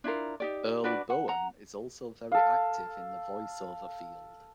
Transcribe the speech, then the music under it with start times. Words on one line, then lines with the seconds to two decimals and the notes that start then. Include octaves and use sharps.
Earl Boen is also very active in the voice-over field.
0.04 D4 E4 F4 A#4
0.40 D#4 G4 D5
0.84 D4 F#4 B4 D5
1.10 F#5
1.28 F#5 A#5
2.32 A4 F5